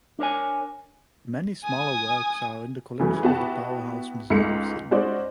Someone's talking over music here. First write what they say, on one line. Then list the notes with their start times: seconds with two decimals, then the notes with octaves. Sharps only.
Many smaller works are in the collection of the Powerhouse Museum, Sydney.
0.19 D4 A#4 C#5 G#5
1.64 G#5 D#6
3.00 C#3 E3 F#3 A3
3.23 B3 E4 F#4 G4 A5
4.30 C#2 G#2 G#3 A3 C#7
4.91 G#3 C#4 D#4 F#4 C5 D5